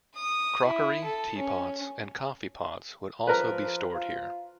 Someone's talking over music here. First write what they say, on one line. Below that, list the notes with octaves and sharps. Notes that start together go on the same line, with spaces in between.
Crockery, tea pots and coffee pots would also be stored here.
D#6
E4
A4
C#4
F3 A#4 B4
F4